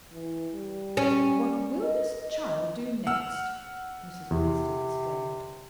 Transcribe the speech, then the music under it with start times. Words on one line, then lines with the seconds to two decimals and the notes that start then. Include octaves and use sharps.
"What will this child do next?" Mrs. Presty exclaimed.
0.13 E3
0.54 G3
0.97 C#4
1.83 D#5
3.07 F#5 E6 F6
4.31 E2 C3